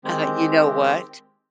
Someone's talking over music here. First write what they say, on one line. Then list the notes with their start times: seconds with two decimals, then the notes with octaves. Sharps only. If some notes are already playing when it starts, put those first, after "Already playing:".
Uh-huh you know what?
0.05 D#3 G#3 C4 G4